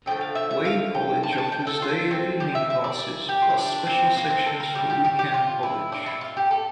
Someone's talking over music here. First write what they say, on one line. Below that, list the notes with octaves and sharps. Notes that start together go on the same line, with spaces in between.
Wayne College offers day and evening classes, plus special sections for Weekend College.
D3 F3 A3 G5
F5
E5
E5
F5
G5
A5
G5
A5
G5
A4
F4
C4
A#2 G3 A#3 G4
E5
E5
D5
D5
G4
F4
E4
D4
C4
A#3
C4
A4
A#4
A2 G3 A#3 G4
G4
G4
G4
F4
E4
D4
E4
F4
G4
A4